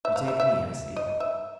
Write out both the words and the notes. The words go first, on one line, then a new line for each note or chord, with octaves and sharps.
You take me, I see.
E5
F5
E5
E5
D#5
E5